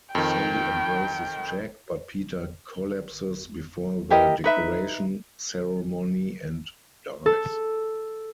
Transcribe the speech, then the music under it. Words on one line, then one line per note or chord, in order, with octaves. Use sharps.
Sally embraces Jack, but Peter collapses before the decoration ceremony and dies.
F2 D#3 G5
E4 G4 A#4 D#5
D#4 B4 E5
A4